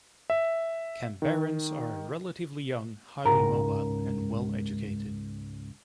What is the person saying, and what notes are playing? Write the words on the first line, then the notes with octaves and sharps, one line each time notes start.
Canberrans are relatively young, highly mobile, and well educated.
E5
D#3
C#2 G#2 A#4 A#5